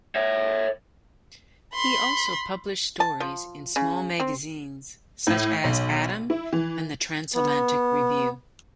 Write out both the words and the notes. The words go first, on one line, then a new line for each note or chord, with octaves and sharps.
He also published stories in small magazines such as "Adam" and the "Transatlantic Review".
C#5 E5
B5 C6
A5
F3
C#3
C4
A2
B1
E4
E3
B3